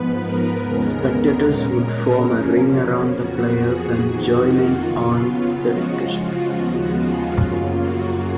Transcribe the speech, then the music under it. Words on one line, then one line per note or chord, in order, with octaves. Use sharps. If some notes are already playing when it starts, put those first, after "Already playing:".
Spectators would form a ring around the players and join in on the discussions.
Already playing: G#2 F3 B3 B4
A#4
D#2 C#3 G#3 B3 A#4
A#2 G#3 C#4
C#3 F3 A#3 C#4
F2 F3 B3 F#4
G#4
F2 D#3 A#3 F#4
F4
C#3 F#3 B3
F4
C#3 F3 G#3 F#4
F4
D#2 C#3 F3 G#3 B3 F#4
F4
F#2 C#3 F#3 A#3
F#4